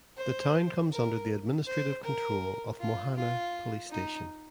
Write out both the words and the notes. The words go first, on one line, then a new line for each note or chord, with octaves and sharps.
The town comes under the administrative control of Mohana Police station.
C5
A#4
C5
A#4
F4
F4
D#4